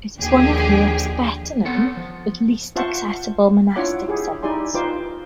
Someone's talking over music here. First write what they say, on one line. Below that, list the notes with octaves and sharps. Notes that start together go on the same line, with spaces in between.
It is one of Europe's better known but least accessible monastic sites.
D#2 D3 F3 G4 G#4
B3 C4 A4 C#5 F#5
F3
F4 C5 E5 F#5 A5 C#6
D4 E4 F4 C#5 F#5 D6
E4 G4 G#4
D#4 E4 G4 D5 G#5 C6
D#4 F4 B4 C5 D6